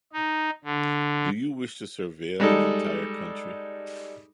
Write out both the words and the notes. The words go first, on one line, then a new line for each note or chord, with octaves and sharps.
Do you wish to surveil an entire country?
D#4
D3
G3 G#3 D#4 A4